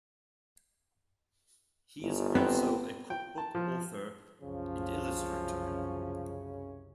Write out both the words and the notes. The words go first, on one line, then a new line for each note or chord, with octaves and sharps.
He is also a cook book author and illustrator.
G1
B3 C4
G5
A5
F3
C2 F#2 C#3 F3 C#4